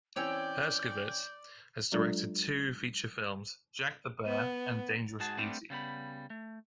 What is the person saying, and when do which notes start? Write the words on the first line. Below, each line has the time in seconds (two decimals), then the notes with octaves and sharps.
Herskovitz has directed two feature films, "Jack the Bear" and "Dangerous Beauty".
0.16 E3 C4 C#4 C#5 D5 G5 E6 G6
1.92 F#3 G#3 D4 F4 A4 D5
4.26 B3
5.20 G#2 F#4 G#4 A5
5.38 G3 A3 B3 C4 D4
5.70 C#3 G3 B3 B5
6.30 A3